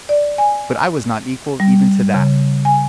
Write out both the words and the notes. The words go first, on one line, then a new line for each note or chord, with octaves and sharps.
But I was not equal even to that.
D5
G#5
G3
C#3
G#5